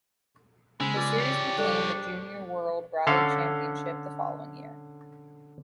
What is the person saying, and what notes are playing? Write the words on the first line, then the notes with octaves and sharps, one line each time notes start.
The series became the Junior World Rally Championship the following year.
C#3 G#3 B3 C#4 C5 B5 E6
C#3 F4 B4 D5
G4 C#5
G3 D4 G#4 A4 D5
C5
D3 C#4 A4 F5